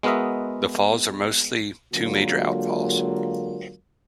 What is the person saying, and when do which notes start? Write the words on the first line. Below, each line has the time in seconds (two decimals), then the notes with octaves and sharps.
The falls are mostly two major outfalls.
0.03 G#3 B3 F#4 A#4 D#5 E5
1.94 D3 F#3 G#3 A#3 F4 A#4